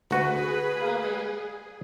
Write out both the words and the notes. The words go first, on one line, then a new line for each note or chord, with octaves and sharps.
Oh, man.
D2 F#4 G#4 B4